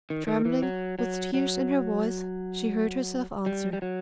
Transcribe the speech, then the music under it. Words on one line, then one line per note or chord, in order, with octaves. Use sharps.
Trembling, with tears in her voice, she heard herself answer.
D#3
D#3
E3
F#3
F#3
F#3
G3
G3
F#3